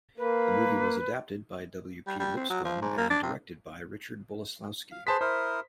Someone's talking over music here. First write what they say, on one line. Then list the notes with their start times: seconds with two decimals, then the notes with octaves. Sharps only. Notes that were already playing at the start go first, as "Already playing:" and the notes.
The movie was adapted by W. P. Lipscomb and directed by Richard Boleslawski.
0.18 A#3 B4
2.07 G3
2.19 G3
2.37 C4
2.50 F#3
2.65 F3
2.82 G#2
2.98 A#3
3.10 D4
3.23 C3
4.92 F5
5.07 G#4 B4 C5 A5 C6 B6
5.21 E4 A#4 C5 D#6